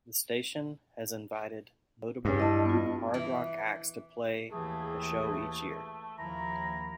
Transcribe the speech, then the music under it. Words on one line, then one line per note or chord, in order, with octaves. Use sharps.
The station has invited notable hard rock acts to play the show each year.
G2
E4 D#5 A5
B3 F4
E3
D#2 E3 A3 G4 G#4
D#2 D#3 F3 E4 A#5